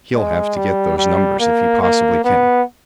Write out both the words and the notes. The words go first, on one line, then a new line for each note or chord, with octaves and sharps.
He'll have to get those numbers if he possibly can.
G#3
G3
G3
A#3
A#3
B3